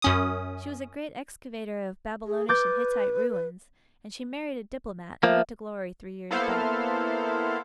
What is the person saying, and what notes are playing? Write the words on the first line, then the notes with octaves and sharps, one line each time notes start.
She was a great excavator of Babylonish and Hittite ruins, and she married a diplomat who went to glory three years back.
F#2 C#4 D#6
G#4
B4 D6 G6 A6
F3 A#3 E5
A#3 B3 E4 A4 C5 F5